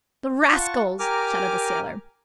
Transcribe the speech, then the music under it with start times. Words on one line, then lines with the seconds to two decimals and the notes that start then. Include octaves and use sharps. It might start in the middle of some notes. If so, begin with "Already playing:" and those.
"The rascals!" shouted the sailor.
0.52 F4 F#5 A5 C#6
0.99 G4 A#4 G#5 A#5 D6 F6